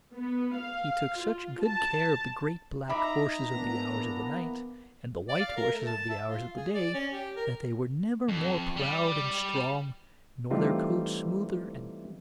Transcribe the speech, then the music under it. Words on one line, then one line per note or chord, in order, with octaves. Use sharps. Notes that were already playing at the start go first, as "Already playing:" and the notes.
He took such good care of the great black horses of the Hours of the Night, and the white horses of the Hours of the Day, that they were never more proud and strong, nor their coats smoother and more gleaming.
B3
F5
F4
A5
D#4 E5 A#5 B5 D6
E3 A#3 B3 D4
D5
F5
A#4
A3
A5
E5
F4
G#4
D5
C#4
G4
A#4
F2
G3
E3 G3 A3 C4 D#4 F4